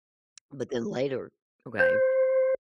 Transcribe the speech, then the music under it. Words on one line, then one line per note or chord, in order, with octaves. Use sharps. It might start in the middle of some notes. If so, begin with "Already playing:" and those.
But then later, okay,
C5